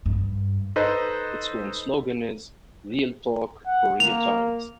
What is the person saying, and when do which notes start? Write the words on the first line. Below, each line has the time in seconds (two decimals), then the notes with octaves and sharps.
Its current slogan is "Real Talk for Real Times".
0.06 G2
0.76 D#4 A4 B4 C5 D#5
3.66 F#5
4.00 A#3 F7